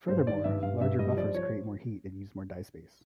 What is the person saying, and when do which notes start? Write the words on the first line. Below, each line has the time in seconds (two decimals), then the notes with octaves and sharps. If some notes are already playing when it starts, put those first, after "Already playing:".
Furthermore, larger buffers create more heat and use more die space.
0.08 G2 C5
0.27 D#3 D5
0.44 G2 E5
0.63 G2 F5
0.81 G2 E5
0.99 G3 D#5
1.17 F3 D5
1.35 F3 C#5